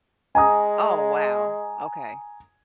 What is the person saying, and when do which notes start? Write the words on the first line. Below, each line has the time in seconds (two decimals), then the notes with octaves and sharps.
Oh, wow, okay.
0.35 G#3 G#5 A#5 D#6